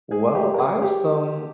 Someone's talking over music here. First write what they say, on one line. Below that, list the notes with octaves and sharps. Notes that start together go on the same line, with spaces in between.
Well, I have some
G#4
G4
A#4
G#4
G4